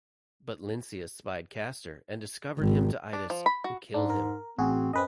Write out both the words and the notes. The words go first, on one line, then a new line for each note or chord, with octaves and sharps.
But Lynceus spied Castor and discovered him to Idas, who killed him.
G#1
D4
F3
B5
F#4
G#2 D4
A#4
A1 C4 F#4 G#4
F#2 C4 B4 D#5